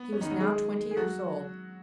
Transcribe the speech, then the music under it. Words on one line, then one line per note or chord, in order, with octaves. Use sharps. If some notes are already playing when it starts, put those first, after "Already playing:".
He was now twenty years old.
Already playing: B3
C#4
D#3 D#4
F#3 F#4
G#3 G#4
G#4
F#3 F#4